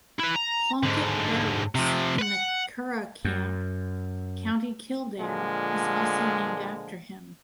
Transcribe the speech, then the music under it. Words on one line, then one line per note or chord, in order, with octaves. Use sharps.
Plunkett barracks in the Curragh Camp, County Kildare is also named after him.
E4 B4
A#5
G#2 D3
C3 F3
B4 F#5
F#2
A#2 D3 F3 G#3